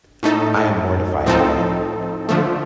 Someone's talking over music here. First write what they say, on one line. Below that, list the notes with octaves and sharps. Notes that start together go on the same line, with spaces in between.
I am mortified by it.
A2 A3 D#4 A4
A2 F3 C4 D#4 A4
D3 F3 A3